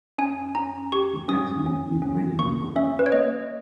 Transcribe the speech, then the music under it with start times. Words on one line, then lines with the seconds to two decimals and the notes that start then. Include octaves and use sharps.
The person is reading a book.
0.18 C#4 G#5
0.55 C#4 A#5
0.92 G4 C#6
1.28 C#4 D#6
1.66 C#4
2.02 C#4
2.39 A#3 C#6
2.76 C#4 E5
2.99 B4
3.06 C#5
3.12 A#3 D#5